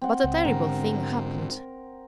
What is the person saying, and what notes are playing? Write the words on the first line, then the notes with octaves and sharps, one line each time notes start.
But a terrible thing happened!
C4 F#5
C#2
G#2 D3 A#4